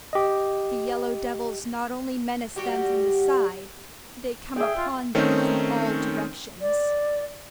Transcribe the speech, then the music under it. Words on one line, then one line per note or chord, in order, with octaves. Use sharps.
The yellow devils not only menace them from the side; they come upon them from all directions.
G4 D#5
G3 F#4 G4
G#4 E5 G5
F4
D#3 A3 C4 C#4 D#4
D5